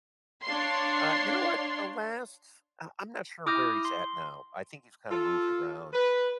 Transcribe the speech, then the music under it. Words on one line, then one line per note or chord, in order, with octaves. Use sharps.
Uh, you know what? The last uh, I'm not sure where he's at now. I think he's kinda moved around.
D4 C#5 F5 C6
E4 D6 D#6 F6 G6 A#6
C6
F4 A4
B4